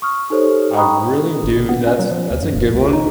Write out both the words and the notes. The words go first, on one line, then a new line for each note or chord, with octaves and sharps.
I really do that's that's a good one,
C#6 D#6 F6
D#4 G4 A4 C5 C#5
D#5 G5 A#5 B5 C#6 D#6
G#1
B2
B3
C#4
F#3
F3
D2
F#2
E1
C#2
D#4